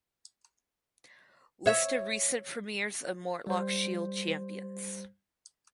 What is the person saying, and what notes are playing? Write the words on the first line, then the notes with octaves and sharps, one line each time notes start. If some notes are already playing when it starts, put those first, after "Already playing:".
List of recent premiers of Mortlock Shield Champions.
C#5 E5
G3 C5